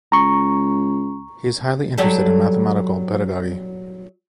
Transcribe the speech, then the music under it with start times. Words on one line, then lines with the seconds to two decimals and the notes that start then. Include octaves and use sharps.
He is highly interested in mathematical pedagogy.
0.12 C#2 A#5 C#6
1.98 F#3 G3 A4